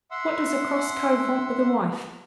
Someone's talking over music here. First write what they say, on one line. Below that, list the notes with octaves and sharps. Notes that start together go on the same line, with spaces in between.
What does a cross cove want with a wife?
E5 F#5 C6 E6